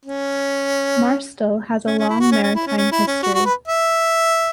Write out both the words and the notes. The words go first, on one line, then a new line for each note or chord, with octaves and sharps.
Marstal has a long maritime history.
C#4
C#4
C#4
E4
F#4
C#4
C#4
E4
C#4
C#4
E4
C#4
F#4
F#4
B4
E5